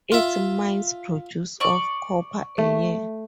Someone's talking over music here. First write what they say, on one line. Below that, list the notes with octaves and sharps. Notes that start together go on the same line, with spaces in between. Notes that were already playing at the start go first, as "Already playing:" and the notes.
Its mines produce of copper a year.
F4 E5
D5 C#6
A3